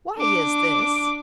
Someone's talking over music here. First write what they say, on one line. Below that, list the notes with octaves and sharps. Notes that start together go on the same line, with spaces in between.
Why is this?'
D4 D6